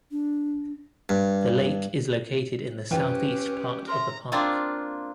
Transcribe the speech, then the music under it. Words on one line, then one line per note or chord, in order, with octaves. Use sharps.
The lake is located in the south east part of the park.
D4
G2
F#2 E3 C#4 F4 G4 B4 C5 G5
A#4 C#5 E5 A#5 C6
A#3 C4 D4 F4